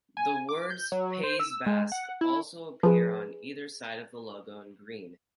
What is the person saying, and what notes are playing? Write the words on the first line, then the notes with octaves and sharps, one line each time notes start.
The words Pays Basque also appear on either side of the logo in green.
G#5
D6
G6
F#3
C5
E6
G#3
F#5
E4
F3 G#4 B4